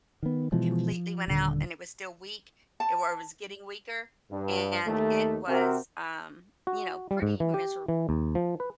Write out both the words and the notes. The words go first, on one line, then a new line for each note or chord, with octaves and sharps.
Completely went out, and it was still weak. It or, it was getting weaker, and it was, um, you know, pretty miserable.
D#3 B3
B2 E3 F3 G#3
F3
D#1 D3
A5
G2
D#2 A3
C3 C4 F#4 A#4
F#4
G3
G#2
E3
G4
E3
D#2
F3
B4